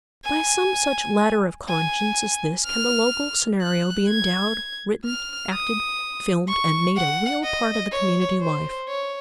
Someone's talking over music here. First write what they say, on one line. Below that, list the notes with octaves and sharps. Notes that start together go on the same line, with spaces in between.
By some such ladder of conscience as this can the local scenario be endowed, written, acted, filmed, and made a real part of the community life.
G#5
G#5
F6
F#6
G#6
F6
D#6
C#6
F#5
D#5
C#5
C5
C#5